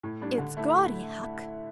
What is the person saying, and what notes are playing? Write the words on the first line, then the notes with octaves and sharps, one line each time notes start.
It's gaudy, Huck.
A2
G3 D4
D3
A3 E4